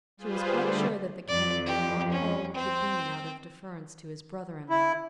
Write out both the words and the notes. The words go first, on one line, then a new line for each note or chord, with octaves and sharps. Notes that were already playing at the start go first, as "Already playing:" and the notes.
She was quite sure that the Canon would not quarrel with the Dean out of deference to his brother-in-law.
G3 F4 G#4 B4 C5
D3 G3 A3
F2 D5
G4
C#4
C4 C5
E4